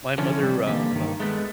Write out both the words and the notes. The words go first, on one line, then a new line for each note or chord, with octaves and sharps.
my mother, uh, um
D3 E3 F3 C#4
C3 G3
D3 E3 A#3 G4
G2 D#3
G#3 A3 B3